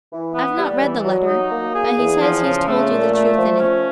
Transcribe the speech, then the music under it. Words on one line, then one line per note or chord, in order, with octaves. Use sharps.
I've not read the letter, but he says he's told you the truth in it.
E3
B3
G3
E3
F#3
D#4
A#3
G#4
E2
F3
C#3
A3
A#2
A3
F3
C#4